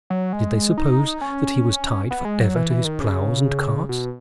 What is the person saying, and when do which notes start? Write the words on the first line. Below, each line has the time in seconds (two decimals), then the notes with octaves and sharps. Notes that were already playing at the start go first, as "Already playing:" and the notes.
Did they suppose that he was tied for ever to his ploughs and carts?
0.10 F#3
0.33 G#3
0.78 D#4
1.21 C#4
2.11 B3
2.25 G#3
2.40 F#3
2.56 E3
2.70 E3
2.85 D#3
3.00 C#3
3.89 B2